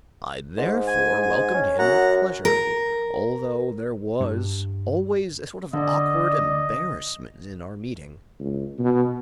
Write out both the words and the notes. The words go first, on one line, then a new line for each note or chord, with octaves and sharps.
I therefore welcomed him with pleasure, although there was always a sort of awkward embarrassment in our meeting.
G#2
G#5
G#5
C#4
F#2 F#5 A#5
A#4
G2
D3 D5 D#5
C#2
B2